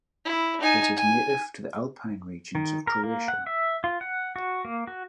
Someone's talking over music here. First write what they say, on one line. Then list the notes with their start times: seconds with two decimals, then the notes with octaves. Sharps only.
It is native to the alpine regions of Croatia.
0.25 E4
0.61 D#4 G#5
0.97 G#5
2.55 D#3
2.87 A#4
3.03 A#3
3.28 F#5
3.47 E5
3.84 F4
4.01 F#5
4.36 F#4
4.65 A#3
4.87 F#4